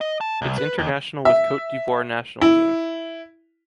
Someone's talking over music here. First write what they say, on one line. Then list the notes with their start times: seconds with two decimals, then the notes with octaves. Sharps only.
It’s international with Côte d'Ivoire national team.
0.01 D#5
0.21 A5
0.42 C2
0.58 B4
0.79 D#2
1.25 E5
2.41 E4